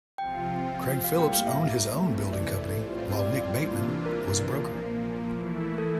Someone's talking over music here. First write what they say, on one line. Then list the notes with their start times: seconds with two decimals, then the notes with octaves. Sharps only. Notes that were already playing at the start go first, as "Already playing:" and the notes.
Craig Phillips owned his own building company, while Nick Bateman was a broker.
0.18 C3 F3 C4 F4 G5
1.04 A2 G3 A#3 F5
1.19 G5
1.33 F5
1.47 E5
1.90 C3 E3 A3
2.33 D5
2.77 A2 G3 C4 F4
3.19 D5
3.63 C3 E3 A#3 D4 F4
4.06 A#4
4.49 A#2 F3 A#3
5.35 E3 A3 E4
5.78 A4